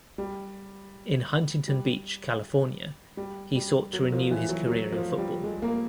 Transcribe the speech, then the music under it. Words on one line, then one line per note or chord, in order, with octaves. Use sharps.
In Huntington Beach, California, he sought to renew his career in football.
G3
G3
G3
G3
F#3
F3
E3
F#3
F#3
F3
G3
G#3
A#3